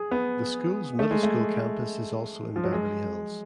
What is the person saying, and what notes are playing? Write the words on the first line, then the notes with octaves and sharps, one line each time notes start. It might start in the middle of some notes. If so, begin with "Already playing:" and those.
The school's middle school campus is also in Beverly Hills.
Already playing: G#4
B3
A3
G#3
A3
F3
F#3
G#3